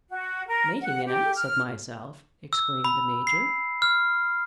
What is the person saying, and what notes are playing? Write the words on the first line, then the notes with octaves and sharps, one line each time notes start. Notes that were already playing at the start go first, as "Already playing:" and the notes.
"Making an ass of myself!" exclaimed the Major.
F#4
A#4
F#5
G4
F6
E6
B5
C7
F6